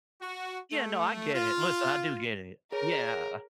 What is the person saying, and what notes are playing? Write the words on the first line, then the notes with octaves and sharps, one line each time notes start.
Yeah, no, I get it. Listen, I do get it. Yeah.
F#4
A3
F4
G#4 A#4 C#5